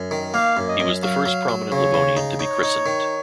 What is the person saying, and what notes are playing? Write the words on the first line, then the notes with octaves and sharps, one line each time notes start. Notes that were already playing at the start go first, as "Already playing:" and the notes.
He was the first prominent Livonian to be christened.
Already playing: F#2
D#3
A#3 F5
F#2
D#5
F#2
F#3 F5
F#3
F#3
C#3 C#5
C#3
D#4
D#4 C#5
D#4
D#3